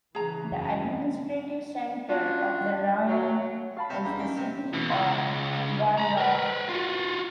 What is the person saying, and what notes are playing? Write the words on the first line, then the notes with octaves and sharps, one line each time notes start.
The administrative center of the rayon is the city of Goygol.
C#3 E3 G#4 A#5
F#2
C#4 D4 F4 F#4
F#3
G4 F5 A5 B5
C3
E2 C#4 D4 A#5
D#3
C3
B2 E3
C#2
A#5 B5
A#4 B4
F4 F#4